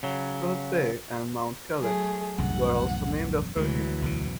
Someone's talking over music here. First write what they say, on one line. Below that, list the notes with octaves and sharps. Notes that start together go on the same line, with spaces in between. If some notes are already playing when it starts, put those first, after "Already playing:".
Kellett Bay and Mount Kellett were also named after him.
C#3 F#3
F#3 A3 G#4
E1 C2 F#2 A2 F#5
D2 E3 F#3 G#3
B1 E2 C#3